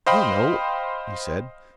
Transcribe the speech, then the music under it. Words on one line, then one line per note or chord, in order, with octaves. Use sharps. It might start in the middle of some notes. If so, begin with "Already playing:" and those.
"I don't know," he said.
C5 D#5 F5 G5 B5